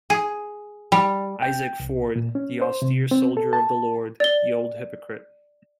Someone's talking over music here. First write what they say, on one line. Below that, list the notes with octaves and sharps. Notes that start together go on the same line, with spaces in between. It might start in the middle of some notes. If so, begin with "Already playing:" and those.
Isaac Ford, the austere soldier of the Lord, the old hypocrite.
G#4
G3
G5
C2
A#2
C#4
C5
C3
C4
A4
A5
D5 G7